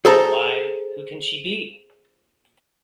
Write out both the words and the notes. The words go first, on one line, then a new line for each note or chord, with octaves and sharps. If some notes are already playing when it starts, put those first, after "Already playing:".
Why, who can she be?
G#4 A4 C5 A5 A#5